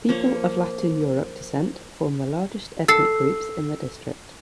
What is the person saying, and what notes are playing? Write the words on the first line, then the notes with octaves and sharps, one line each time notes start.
People of Latin Europe descent form the largest ethnic groups in the district.
F3 A#3 C#5
A4 E6 C7